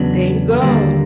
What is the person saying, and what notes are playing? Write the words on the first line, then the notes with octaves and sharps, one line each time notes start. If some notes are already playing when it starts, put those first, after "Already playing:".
There you go.
Already playing: E2 C#3 F#3 B3 D4
D#2 D3 G3 A#3